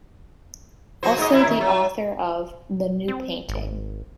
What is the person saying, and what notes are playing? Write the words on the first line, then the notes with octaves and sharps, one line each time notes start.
Also the author of "The New Painting".
F3 F#4 C5
G#2 D#5
F#2 C3 E4
D#3
F#3
C4
G#1